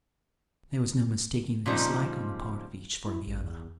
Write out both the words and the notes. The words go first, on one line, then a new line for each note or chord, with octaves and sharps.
There was no mistaking the dislike on the part of each for the other.
A#2 C#3 F3 G3 C4 D#4
E4
A1
E2